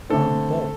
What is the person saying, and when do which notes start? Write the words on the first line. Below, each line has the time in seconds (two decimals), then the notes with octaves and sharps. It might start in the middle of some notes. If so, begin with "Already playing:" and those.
Um, both.
0.10 D3 A3 C4 A4